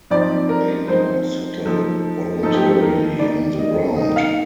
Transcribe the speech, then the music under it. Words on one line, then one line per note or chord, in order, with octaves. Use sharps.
They never settle voluntarily on the ground.
F3 C4 D#4 D5
A#4
F3 C4 D#4 C5
F3 A3 D#4 A4
F3 A3 D#4 A4
G4
A4
A#4
D#3 A#3 D#4 D5
D#5
D#3 A#3 D#4 D#5
F5